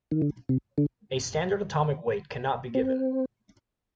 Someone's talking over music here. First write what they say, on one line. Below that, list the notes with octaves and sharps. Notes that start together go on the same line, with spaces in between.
A standard atomic weight cannot be given.
D#3
D3
C3
D3
C4